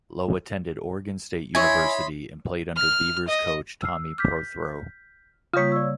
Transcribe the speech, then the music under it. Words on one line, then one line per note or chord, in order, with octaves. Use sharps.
Lowe attended Oregon State University and played under Beavers coach Tommy Prothro.
E4 C#5 D#5 G#5 B5 C6
F6
D#5
E6 F6 C7
D6 F6 G6 B6
C#3 G3 A#3 F4 C#5 D#6 G6 B6
D5 E6